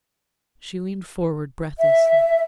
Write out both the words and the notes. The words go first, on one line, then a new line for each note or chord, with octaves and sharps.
She leaned forward breathlessly.
E5